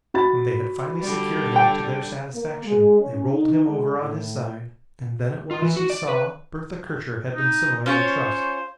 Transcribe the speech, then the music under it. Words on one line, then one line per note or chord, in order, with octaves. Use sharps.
When they had finally secured him to their satisfaction, they rolled him over on his side and then it was he saw Bertha Kircher had been similarly trussed.
F#4 B5 A6
D3 G3
G5
A#3
G#3
C#4
D#4
G#3
A2
F4
E3
F#4
D5
B4
D#4
C#4 F4 C5 C#5